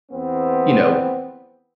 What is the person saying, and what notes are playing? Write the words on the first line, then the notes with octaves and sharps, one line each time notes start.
you know,
E2 B3 C4